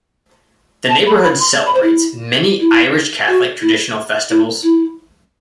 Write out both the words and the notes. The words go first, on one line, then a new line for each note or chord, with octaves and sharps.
The neighborhood celebrates many Irish Catholic traditional festivals.
A5
B5
B5
C6
B5
C5
E4
E4
F#4
E4
E4
E4